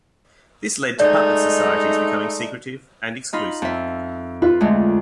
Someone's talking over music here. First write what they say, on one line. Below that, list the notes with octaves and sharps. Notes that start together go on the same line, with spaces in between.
This led to puppet societies becoming secretive and exclusive.
G#3 A3 D#4 D5
D#4 F4 B5
F2 E5
F4 B4
D2 G#3 A3